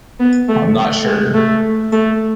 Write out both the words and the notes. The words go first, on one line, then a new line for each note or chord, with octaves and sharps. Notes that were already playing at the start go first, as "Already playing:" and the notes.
I'm not sure.
B3
A3
A3
G#3
A3
A3